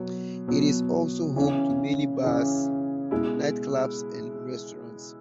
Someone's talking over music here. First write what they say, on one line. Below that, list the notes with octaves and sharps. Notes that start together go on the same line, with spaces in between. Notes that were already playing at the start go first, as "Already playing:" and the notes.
It is also home to many bars, nightclubs and restaurants.
Already playing: B2 F#3 B3
B2 F#3 B3
C#3 E3 C#4 G#4
C#3 E3 C#4 G#4
B2 G#3 E4